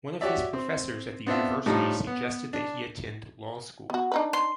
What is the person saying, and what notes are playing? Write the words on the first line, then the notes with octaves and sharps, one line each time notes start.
One of his professors at the university suggested that he attend law school.
F#4 G4 C#5 D5 E5
C4
B3 C4 D4 F4 D5 E5
A2 F3 G3 D4 D#4
B3
D4
B3 F#4
D4 D#4 B4
C6